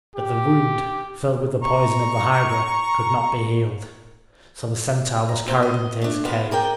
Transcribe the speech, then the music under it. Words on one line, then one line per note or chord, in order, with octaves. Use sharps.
But the wound, filled with the poison of the hydra, could not be healed; so the centaur was carried into his cave.
G4
A#5 C#6
A#5
A#3 C4 F4
D#5
A3 D4
B3 F4
G#4 A#4 D5 G5